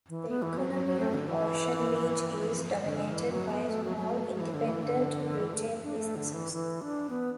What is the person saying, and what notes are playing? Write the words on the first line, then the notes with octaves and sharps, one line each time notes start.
The economy of Ocean Beach is dominated by small, independent retail businesses.
E3
B3
E3
F#3
F#3
F#3
A3
D3
E3
D3
E3
F#3
B3
A3
F#3
F#3
A3
F#3
E3
D3
E3
D3
E3
A3
D4
A3
D3
E3
E3
D4
B3